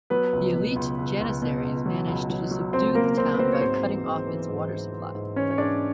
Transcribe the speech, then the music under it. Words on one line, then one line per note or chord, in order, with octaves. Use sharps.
The elite Janissaries managed to subdue the town by cutting off its water supply.
F#3 B3 B4
C#2
B2
C#2
C#2
C#2
B2
C#2
F#3
C#2
F#3
F#3
C#2 C4 C5
C#2 A#3 A#4
C#2 C4 C5
B4
F#3 C4 C5
C#5
G#2 C4 C5
E3
G#2
E3
G#2
E3
E3
G#2
E3 C#4 C#5
C#5
G#2 D4 D5